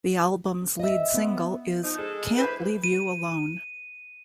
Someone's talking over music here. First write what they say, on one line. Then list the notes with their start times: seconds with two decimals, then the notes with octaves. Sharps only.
The album's lead single is Can't Leave U Alone.
0.79 D#5 E5
1.15 B3
1.83 F3 D#4
1.97 G#3 A4
2.37 D3 E3 B4 C5
2.84 D#7